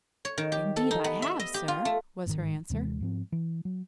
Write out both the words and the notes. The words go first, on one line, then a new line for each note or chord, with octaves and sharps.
"Indeed I have, sir," was her answer.
C#5
D#3
G4
A4
D#4
B3
E5
D#5
G4
F4
A3
G1 G#2 D3 D#3
D#2 C3 E3 G#3
G#2 F3 C4
E3
F#3